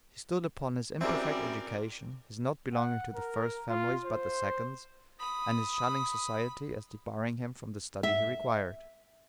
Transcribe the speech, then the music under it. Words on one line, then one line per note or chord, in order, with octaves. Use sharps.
He stood upon his "imperfect education," his not belonging "to the first families, but the seconds"; and his shunning society as debarring him from the study he required.
F#2 G3 C4 E4 G#4 A#4 D5 D6
F#5
A#4
F4
C5
B5 D#6
E5